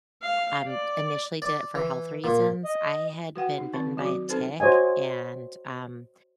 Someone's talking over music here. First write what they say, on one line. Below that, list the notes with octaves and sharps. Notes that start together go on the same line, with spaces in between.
um, initially did it for health reasons. I had been bitten by a tick and, um,
F5
D5
D5
E3
A#2
D#5
F#4 B4 F#5 G5
D#4
D#3 C4 C#6
F#3 F#4 D5 D6
C4 D#4 A4 B4 C5
F#4 C5 C#5 D#5 G#5